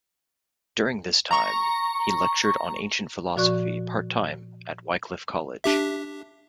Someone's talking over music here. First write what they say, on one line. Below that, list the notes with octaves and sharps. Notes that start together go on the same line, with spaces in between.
During this time he lectured on ancient philosophy part-time at Wycliffe College.
A#5 C#6
A#2 F3 F#4 D5 C#6 F#6
D4 G4 E5